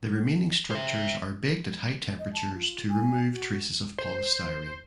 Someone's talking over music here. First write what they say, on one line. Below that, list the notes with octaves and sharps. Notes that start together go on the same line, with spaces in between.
The remaining structures are baked at high temperatures to remove traces of polystyrene.
C5 E5
D#5
A5
F4
G#5
F#4
C5